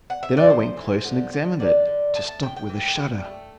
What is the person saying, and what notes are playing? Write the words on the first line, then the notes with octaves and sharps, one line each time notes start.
Then I went close and examined it, to stop with a shudder.
F#5
E5
D5
A2 C5
E3
D3
D3
D3 D5
D3
A2 A5
A5
A2 G5
G5
E3
G3
A3